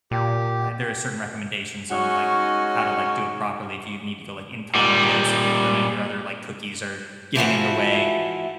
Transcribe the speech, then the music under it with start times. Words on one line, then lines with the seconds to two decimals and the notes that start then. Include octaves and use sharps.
uh, there are certain recommendations on, like, how to, like, do it properly if you need to go, like, incognito so that none of your other, like, cookies are getting in the way
0.11 A#2 G4
1.89 G#3 C#4 D#4 F#4
4.75 A#2 G3
7.35 E3 F3 E4 F#4